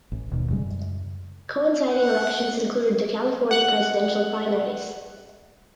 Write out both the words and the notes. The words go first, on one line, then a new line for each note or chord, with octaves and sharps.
Coinciding elections included the California presidential primaries.
A1
D#1 D#2 B2 D#3
F#2 C#3 G3 G#3
F#5
F#5 F#6